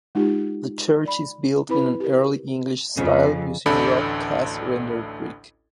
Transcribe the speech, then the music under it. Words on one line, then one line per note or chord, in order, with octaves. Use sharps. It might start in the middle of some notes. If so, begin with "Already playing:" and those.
The church is built in an Early English style using roughcast rendered brick.
G#3 D#4 F4 G4
D5 B5
C4 E4 B4 B5
G4 A#4
F2 C#3
A1 D2 D4 A4 B5